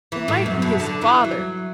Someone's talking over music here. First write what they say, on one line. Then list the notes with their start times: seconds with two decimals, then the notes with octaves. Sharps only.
It might be his father!
0.12 E3
0.28 A2
0.46 F#2
0.62 B2
0.80 D3
1.02 E3
1.24 F#3